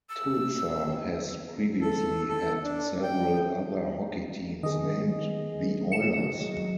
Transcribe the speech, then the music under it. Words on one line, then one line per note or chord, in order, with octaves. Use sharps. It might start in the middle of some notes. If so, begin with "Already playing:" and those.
Tulsa has previously had several other hockey teams named the Oilers.
E6
A4
A4
D4
G5
D#3 B3 G#4 D#5
F#3 C#7 E7